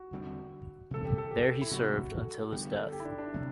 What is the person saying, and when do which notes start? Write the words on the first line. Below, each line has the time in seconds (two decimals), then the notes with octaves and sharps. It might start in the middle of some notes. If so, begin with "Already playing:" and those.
There he served until his death.
Already playing: F#4
0.11 E2 D3 G3 C4
0.91 C3 E3 G3 C4 A4
1.05 G4
1.18 A4
1.31 G4
1.62 E4
1.71 C3 F#3 A3 F#4
2.12 A4
2.51 D3 G3 B3 G4
2.72 A4
2.92 G4
3.00 E4
3.05 D4
3.18 D4
3.34 C3 F#3